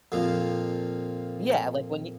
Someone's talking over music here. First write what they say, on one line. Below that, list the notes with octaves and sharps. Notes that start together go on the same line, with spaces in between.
yeah, like when you
F2 A#2 F3